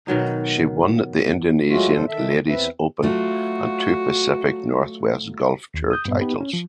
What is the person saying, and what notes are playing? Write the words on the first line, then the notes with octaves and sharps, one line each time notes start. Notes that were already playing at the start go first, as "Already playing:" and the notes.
She won the Indonesian Ladies Open and two Pacific Northwest Golf Tour titles.
B2 D#3 F#3 D#4
F#3 G#3 A3 F4 F#4
F#2 C3 G3 A4 C5
D#3 A4 E5
E2 C4 B4 E5
F#3 A3 F4 F#4
D#2
D#6 G6
G2 A#2 B3
B3 D#4 G4 B4
C#4
F3